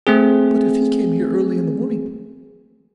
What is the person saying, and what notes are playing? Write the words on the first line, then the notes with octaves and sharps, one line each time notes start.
But if he came here early in the morning.
A3 C4 G#4